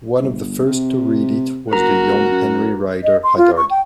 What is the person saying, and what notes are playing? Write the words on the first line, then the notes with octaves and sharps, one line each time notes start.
One of the first to read it was the young Henry Rider Haggard.
G1
C3
F#1 F#4 A#4 A#5
F#2
D#5
C6
F4
C#6
G5